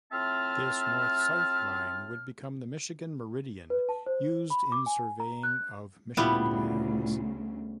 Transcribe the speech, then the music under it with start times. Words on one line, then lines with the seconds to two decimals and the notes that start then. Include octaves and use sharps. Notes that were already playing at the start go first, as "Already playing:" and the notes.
This north-south line would become the Michigan Meridian used in surveying of Michigan lands.
0.12 A2 C4 F4 E5 A5 F6
3.70 B4
3.89 A5
4.06 C5
4.50 B5
4.72 D6
4.86 G#5
5.20 A#5
5.43 F#6
6.17 D2 A#2 C#3 G3 B3 E4 F4